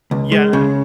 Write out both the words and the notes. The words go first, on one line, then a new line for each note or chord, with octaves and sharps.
yeah, and, I
C#2
G#3
C#3